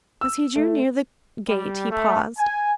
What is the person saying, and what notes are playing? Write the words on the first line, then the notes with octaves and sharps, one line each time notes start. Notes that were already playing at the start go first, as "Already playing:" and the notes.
As he drew near the gate he paused.
E6
A3
G3
A3
G#5